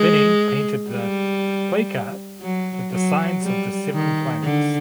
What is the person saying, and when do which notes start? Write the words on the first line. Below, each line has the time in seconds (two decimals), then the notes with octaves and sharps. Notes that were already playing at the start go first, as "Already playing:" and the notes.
Binning painted the "play cart" with the signs of the seven planets.
Already playing: G#3
0.91 G3
2.41 F#3
2.92 F#3
3.43 G3
3.93 D#3
4.43 D3